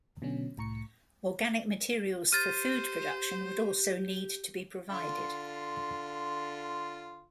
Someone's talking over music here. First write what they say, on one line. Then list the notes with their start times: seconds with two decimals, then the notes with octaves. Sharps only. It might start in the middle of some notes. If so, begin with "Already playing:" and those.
Organic materials for food production would also need to be provided.
0.22 B2 D3 F#3 C#4
0.57 C2 A2 A#5 C#6 C#7
2.32 G4 C5 F6 A6 D#7
4.90 D3 F4 C6